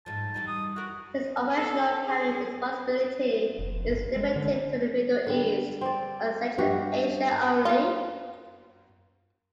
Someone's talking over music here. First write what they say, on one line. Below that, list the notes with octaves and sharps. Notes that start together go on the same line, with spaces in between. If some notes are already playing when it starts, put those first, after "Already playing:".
His operational planning responsibility is limited to the Middle East and Central Asia only.
G#2 F3 A5
E3 G3 D#4
D#6
E4 F#4 A#4
A4
G#4
F1
G1
G#3
D3
D3 G3
C4 D5
G2 F#4 G4
A#3 F4